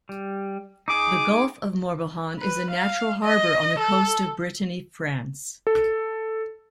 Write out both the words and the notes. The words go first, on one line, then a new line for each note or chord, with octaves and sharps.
The Gulf of Morbihan is a natural harbour on the coast of Brittany, France.
G3
D#4 G#4 D6
B4
F5
D#5
A4
A4